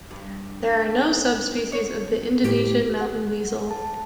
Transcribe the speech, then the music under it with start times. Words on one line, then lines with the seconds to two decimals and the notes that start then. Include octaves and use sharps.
There are no subspecies of the Indonesian mountain weasel.
0.11 G2
1.72 C#5
2.44 A2 G4
3.01 F#5
3.71 A5